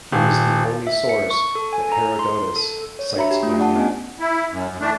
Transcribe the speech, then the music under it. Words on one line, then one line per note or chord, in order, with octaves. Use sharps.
He is the only source that Herodotus cites by name.
D#1
E5
C#7
C#6
A4
G#5
A#5
C6
A4
C#5
D4 F#4 E5 A#5 B5 C#7
G4
A3 F4
D4 G4 D5 F#5 A5
B3 C#4 D#5 G#5
E4
F#2
F#2
E3 A3 D4